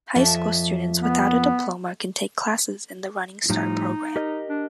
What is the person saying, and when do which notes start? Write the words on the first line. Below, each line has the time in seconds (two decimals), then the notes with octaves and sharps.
High school students without a diploma can take classes in the Running Start program.
0.16 F2 F3 E5
1.02 B3
3.50 A2 F3 G3 D#4
4.16 G4 A#4 D#5
4.49 D4